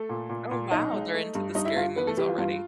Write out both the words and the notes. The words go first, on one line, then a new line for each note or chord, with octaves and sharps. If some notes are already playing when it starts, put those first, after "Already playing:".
Oh, wow, they're into the scary movies already?
Already playing: A3 A4
A#2
A#2
A#2
B1 D#4 D#5
G#3
A3
G2
G2 D#4 D#5
E4 E5
G2 F4 F5
E3 B3 B4
A3 A4
E3 G3 G4
F4
G2 F4